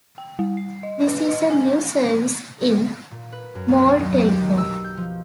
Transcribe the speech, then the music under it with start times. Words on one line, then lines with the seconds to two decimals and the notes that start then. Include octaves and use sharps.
This is a new service in Moldtelecom.
0.18 G5
0.39 G3
0.57 C7
0.83 D#5
1.08 B4
1.29 D#5
1.50 G#5
3.11 A#2
3.32 B4
3.55 F#2
3.68 B1
3.85 F#3
3.99 D#2
4.26 G4
4.41 D#3
4.58 E6
4.84 G6
4.97 F3